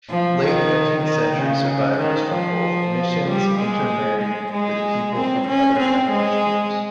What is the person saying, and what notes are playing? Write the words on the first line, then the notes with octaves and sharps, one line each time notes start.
Late nineteenth century survivors from both missions intermarried with people from other language groups.
F3
D#3
D#3
C#3
D#3
F3
G3
G#3
G#3
G#3
C4
C#4
C4
G#3